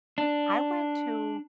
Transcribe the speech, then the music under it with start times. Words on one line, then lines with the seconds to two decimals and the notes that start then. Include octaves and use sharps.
I went to
0.18 D4